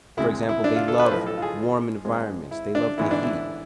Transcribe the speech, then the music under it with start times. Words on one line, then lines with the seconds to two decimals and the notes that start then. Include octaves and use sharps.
for example, they love warm environments, they love the heat,
0.17 D2 C3 G#3 E4
0.49 E4
0.64 D4
0.76 F4
0.88 A4
0.99 B4
1.05 C5
1.10 B1 A2 F3 B3 B4
1.27 A4
1.37 F4
1.42 G#4
2.05 G#1 G#2 G#3 C4
2.51 E4
2.75 D4
2.98 A1 G#2 E3 B3 E4
3.11 D4
3.24 E4